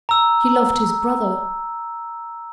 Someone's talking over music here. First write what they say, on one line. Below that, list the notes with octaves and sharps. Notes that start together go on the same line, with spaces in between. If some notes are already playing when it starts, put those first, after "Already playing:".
She loved his brother.
A#5 E6